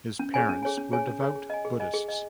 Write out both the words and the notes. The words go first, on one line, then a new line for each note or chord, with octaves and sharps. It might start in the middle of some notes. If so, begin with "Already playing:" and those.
His parents were devout Buddhists.
C#4
G#4 C#5 G#5
C#4
G#4 C#5 G#5
C#4
G#4 C#5 G#5
C#4
G#4 C#5 G#5
G#4
D#5 G#5
G#4
D#5 G#5
G#4
D#5 G#5